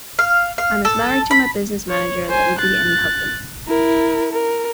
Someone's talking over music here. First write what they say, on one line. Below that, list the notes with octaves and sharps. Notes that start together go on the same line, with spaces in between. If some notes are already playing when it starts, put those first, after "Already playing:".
I'm as married to my business manager as I would be any husband.
F5
F5
A4
B5
C#5
C5 G#5
F#6 A6
E4 A#4
A#4